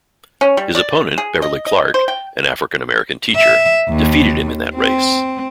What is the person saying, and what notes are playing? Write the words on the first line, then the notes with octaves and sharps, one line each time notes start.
His opponent Beverly Clark, an African-American teacher, defeated him in that race.
C#4
G3
D5
G#4
D#5
D#5
C5
G5
E5
D#2
C4